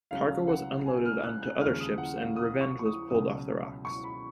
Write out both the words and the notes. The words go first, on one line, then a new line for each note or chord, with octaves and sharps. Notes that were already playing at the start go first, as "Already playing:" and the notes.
Cargo was unloaded onto other ships, and "Revenge" was pulled off the rocks.
C#2 C#3 F#3 F5
F#5
G#5
F6
F#6
F#6
D#2 C#3 F3 G#3 F6
D#6
F#5
F5
D#6
C#6
C#6
D#6
C#2 B2 F#3 D#6
C#6
B5